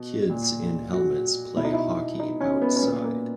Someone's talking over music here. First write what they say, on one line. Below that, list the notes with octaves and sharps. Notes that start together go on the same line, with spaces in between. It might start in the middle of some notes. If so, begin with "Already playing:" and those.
Kids in helmets play hockey outside.
Already playing: B2
A#2
F#4
B2 E4
D#4
E4
D#4
C#4
B3
C#4
A#2 B3
A#3